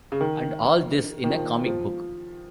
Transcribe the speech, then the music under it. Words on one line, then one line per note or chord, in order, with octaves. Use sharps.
And all this in a comic book!
C#3
D#3
D#3
F3
F3